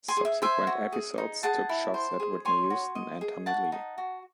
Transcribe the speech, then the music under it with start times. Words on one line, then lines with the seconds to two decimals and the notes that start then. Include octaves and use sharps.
Subsequent episodes took shots at Whitney Houston and Tommy Lee.
0.08 G#5 C6
0.17 G#4
0.25 E5
0.42 C5 E5 G#5
0.67 F#4
0.92 G#4
1.18 D#4
1.43 G#4 F#5 A5
1.69 E4
1.94 C5
2.20 G#4
2.45 C#5 G#5 C6
2.70 F#4
2.95 D#5
3.21 G#4
3.46 F#4 F#5 A5
3.72 D#4
3.98 F#4